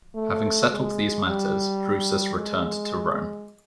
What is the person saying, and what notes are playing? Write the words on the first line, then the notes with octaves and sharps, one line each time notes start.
Having settled these matters, Drusus returned to Rome.
A3
G#3
G3
G#3